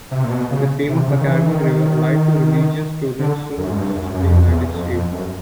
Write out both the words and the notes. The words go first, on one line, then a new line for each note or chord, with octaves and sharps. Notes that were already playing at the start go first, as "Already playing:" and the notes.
The fame of academic rigor allied to religious tolerance soon reached the United States.
C3
A#2
B2
C#3
C3
C#3
D#3
E3
D#3
D3
F#2
G#2
G2
F#2
F#2
F2
E2
F2
F2
F#2